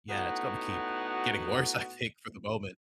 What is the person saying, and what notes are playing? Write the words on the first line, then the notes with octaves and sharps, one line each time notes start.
yeah, it's gonna keep getting worse, I think, for the moment,
A2 B3 D#4 F#4